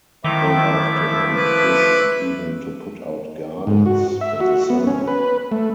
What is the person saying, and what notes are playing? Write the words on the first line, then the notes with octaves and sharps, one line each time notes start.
They loved to hunt, fish and even to put out gardens in the summer.
D#3 F3 A3 E4 E5 D6
B4
G#2
F#4
E5
F#4
B3
C#4
B4
A3